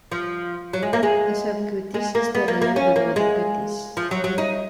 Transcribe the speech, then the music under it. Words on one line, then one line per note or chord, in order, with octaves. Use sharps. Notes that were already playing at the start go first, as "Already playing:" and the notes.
The subcutis is the layer below the cutis.
F3
F#3
G#3
A#3
G#3
G#3
A#3
B3
A#3
A#3
C#4
A#3
G#3
F3
F#3
F#3
D#4